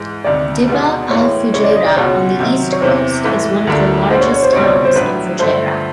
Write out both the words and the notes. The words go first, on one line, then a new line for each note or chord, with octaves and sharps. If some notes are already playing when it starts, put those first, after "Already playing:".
Dibba Al-Fujairah on the east coast is one of the largest towns in Fujairah.
Already playing: G#2 E3 G#3
D2 C3 D#3 D5
B2 G#3 B3 D#4 F#4
A2 E3 G#3 C#5
C#3 E3 G#3 C#5
D5
D#5
D5
C#2 B2 G#3 C#4 F#4 C#5
C3 D#3 F#3
C#5
E2 C3 E3 C5
G#2 E3 A3 B4
D2 D3 F3 A3 D4 A#4
B2 G#3 B3 D4 F#4 C5
C#5
C#5
C5
C#2 B2 G3 C4 D#4 C#5
D5
C#5
C5
A2 F#3 B3 D4 B4
G2 D3 F3 A3 C5